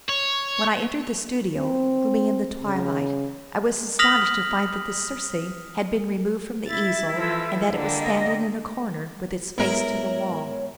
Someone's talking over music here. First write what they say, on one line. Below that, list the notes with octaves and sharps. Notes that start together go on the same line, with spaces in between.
When I entered the studio, gloomy in the twilight, I was astonished to find that the "Circe" had been removed from the easel, and that it was standing in a corner with its face to the wall.
C#5
C4
C#3
D#6 F6 A#6 B6 F7 F#7
E4 A6
E3 F3 A4
D3 G3 A#3
D#5
G#2 G#3 B3 E4 A#4 C#5